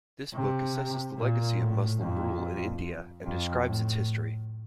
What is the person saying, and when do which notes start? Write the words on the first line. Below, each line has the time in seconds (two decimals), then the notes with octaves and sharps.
The book assesses the legacy of Muslim rule in India and describes its history.
0.34 C3
1.17 A#2
1.59 A2
2.01 F2
3.25 F2
3.66 A2